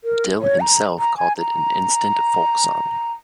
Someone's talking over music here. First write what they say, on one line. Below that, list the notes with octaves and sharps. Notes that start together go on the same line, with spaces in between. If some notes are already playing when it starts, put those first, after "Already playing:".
Dill himself called it an instant folksong.
A#4
C#5
A#5
A#5
G#5
A#5